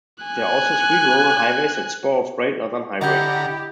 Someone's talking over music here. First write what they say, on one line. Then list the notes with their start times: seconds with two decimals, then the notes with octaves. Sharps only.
There are also three rural highways that spur off Great Northern Highway.
0.24 G#5 F#6
3.01 D3 E4 G4 D#5 F#5 A#5 G6